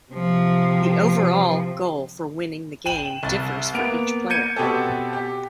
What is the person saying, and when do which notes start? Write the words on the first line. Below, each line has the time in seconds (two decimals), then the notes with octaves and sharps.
The overall goal for winning the game differs for each player.
0.12 C3 F3
2.86 G5 D#7 E7 F#7
3.23 C2 A6
3.74 A#3 B3 D7 F7
4.30 G6 G#6 C#7 D#7
4.56 B2 C4 G4 A4
5.13 G4